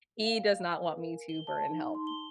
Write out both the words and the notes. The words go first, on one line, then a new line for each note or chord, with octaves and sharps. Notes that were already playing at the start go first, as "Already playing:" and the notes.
he does not want me to burn in hell.
F5
F5
G#5
B4
A#4
G7
A5
D#4
C6
G7